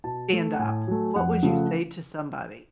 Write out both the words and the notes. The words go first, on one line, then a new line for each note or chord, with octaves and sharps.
stand up? What would you say to somebody?
B2 A5
A3
F#5
A2 G#5
F#3 A3
F2 F#5
C#3 F3 A3